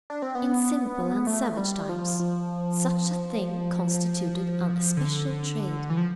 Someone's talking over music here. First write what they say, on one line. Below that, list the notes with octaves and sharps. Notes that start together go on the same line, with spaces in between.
In simple and savage times such a thing constituted an especial trade.
D4
C4
B3
A3
G3
F3
F3
D3
E3
F3